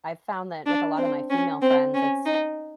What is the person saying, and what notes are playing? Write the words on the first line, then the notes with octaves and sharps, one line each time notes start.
I've found that with a lot of my female friends, it's
D4
C4
C#4
C4
C#4
D#4